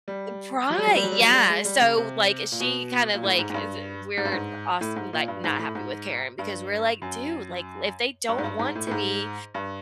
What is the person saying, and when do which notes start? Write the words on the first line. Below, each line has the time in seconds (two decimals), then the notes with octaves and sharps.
eh, pry, yeah, so, like, she kind of, like, is weird, but als n like, not happy with Karen because we're, like, "Dude," like, "If they don't want to be,
0.08 G3
0.70 F#3
0.78 G3
0.87 F#3
0.96 G3
1.04 F#3
1.12 G3
1.20 F#3
1.29 G#3
1.33 G3
1.50 G#3
1.65 G3
1.82 C#3
1.97 C3
2.52 A#2
2.60 B2
3.14 A#2
3.23 A2
3.39 G#2
3.50 G#2
3.54 G2
4.17 G#2
4.25 G2
4.32 G#2
4.81 A2
4.96 G#2
5.13 A#2
5.28 G2
5.44 G#2
5.59 A2
5.75 G#2
6.39 G2
7.02 F#2
8.29 G2
8.38 G#2
8.44 G2
8.59 G#2
8.75 A2
8.87 A2
8.91 G#2
9.54 G2